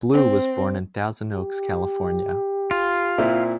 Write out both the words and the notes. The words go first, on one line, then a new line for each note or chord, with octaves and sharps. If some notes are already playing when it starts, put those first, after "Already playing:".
Blue was born in Thousand Oaks, California.
C4
G4
F4
A#2 C4 E4